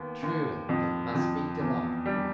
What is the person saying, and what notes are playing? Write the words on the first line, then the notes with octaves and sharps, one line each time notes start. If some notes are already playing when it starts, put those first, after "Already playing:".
Truly it must be delightful.
Already playing: D#2 B3
D#2
F2
F2
E2
G3